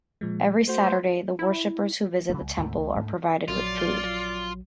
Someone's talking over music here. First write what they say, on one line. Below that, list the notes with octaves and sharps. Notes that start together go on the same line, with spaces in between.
Every Saturday the worshippers who visit the temple are provided with food.
A#2 F3 G#3
A3 F#4 C5
E4
C#3 F#3 A3
C#2
D2 G#2 C3 A3
C#2 A3
D2 G#2 G3 A3
A#1 F#3 F4 D5